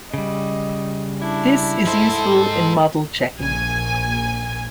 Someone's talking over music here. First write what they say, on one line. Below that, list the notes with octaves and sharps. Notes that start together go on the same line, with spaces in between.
This is useful in model checking.
C#3 G3 D#5
D4 E4
G#2 A4 C5
A#1 G#5